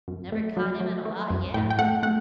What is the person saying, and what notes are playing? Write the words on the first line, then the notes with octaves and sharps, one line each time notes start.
Never caught him in a lie yet.
F#2
A3
F#3
F#3
A3
F#2
A2 G5
G5
A3 F#5
A3 F#5